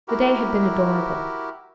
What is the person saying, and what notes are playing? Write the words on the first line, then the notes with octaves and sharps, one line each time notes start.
The day had been adorable.
E4 F#4 G4 A#4